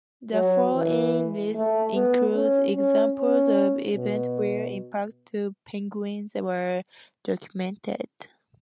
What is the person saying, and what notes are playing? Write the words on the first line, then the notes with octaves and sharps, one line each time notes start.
The following list includes examples of events where impacts to penguins were documented.
F#3
E3
A3
B3
C#4
C#4
C#4
B2